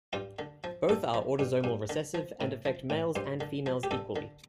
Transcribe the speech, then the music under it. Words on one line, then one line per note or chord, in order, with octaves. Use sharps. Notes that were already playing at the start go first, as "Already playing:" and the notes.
Both are autosomal recessive and affect males and females equally.
G2 F4
D3
F3
G2 A4
F3
G2
G2
D3
F3
A2
F3
A2
G2 C5
D3
F3
G4
G2 A4
D3